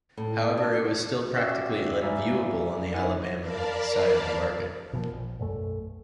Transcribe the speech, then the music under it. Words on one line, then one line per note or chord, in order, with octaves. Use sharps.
However, it was still practically unviewable on the Alabama side of the market.
A2
D4
F#4
C#4 F#4 G4 E5 E6
B4 D5 E5 F5 G#5 A#5
D#4 E4 A#4 E5 F#5 G#5
A#4 D5 F5 A5 B5
B2 F3 A#3
A#1
B1 F#2 A3